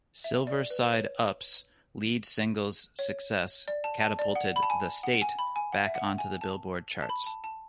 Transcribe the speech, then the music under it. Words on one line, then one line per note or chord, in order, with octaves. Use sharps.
"Silver Side Up"'s lead single's success catapulted "The State" back onto the Billboard charts.
E5
D5
B4
C#5
C#5
D5
A5
A5
D5
F#5
B5
A5
G#5
F#5
G#5
B5
G#5
F#5
E5
F#5
G#5
A5
A5
B5
A5
A5